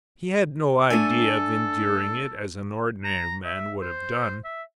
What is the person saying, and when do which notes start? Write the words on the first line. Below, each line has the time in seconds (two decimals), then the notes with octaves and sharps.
He had no idea of enduring it, as an ordinary man would have done.
0.90 A3 D4 A4 G#5
3.04 A#5
3.44 E5
3.82 C5
4.45 E5